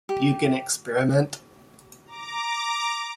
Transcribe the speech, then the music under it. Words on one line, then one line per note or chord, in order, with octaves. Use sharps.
You can experiment.
G4
A#5 D6